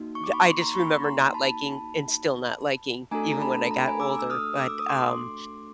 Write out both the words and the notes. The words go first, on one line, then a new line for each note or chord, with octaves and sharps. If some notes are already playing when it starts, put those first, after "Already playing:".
th I just remember not liking, and still not liking even when I got older, but um
Already playing: A#3 D#4 F#4
C#6
D6
B5 C#6
C6
C#6
A#5 C6
B5 C#6
A#5 C6
A5 B5
A3 D4 F#4 A4 G#5 A#5
A#5
A5 B5
A#5
B5
G#5 A#5
D6 E6
E6
D#6 F6
D6 E6
D#6
C6 D6